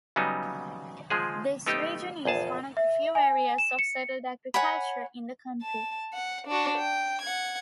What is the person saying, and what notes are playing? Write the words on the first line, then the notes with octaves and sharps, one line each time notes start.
This region is one of the few areas of settled agriculture in the country.
C#3 F#3 G3 B3 D#4
F3 G#3 G#4
A3 B3 D#4 G4
A#1 E2 G#4 A5
E5
G#5
E7
C#7
C#5 F#5 G#5 B5
A5
F#5
D4 F#4
G5
F#5 G#6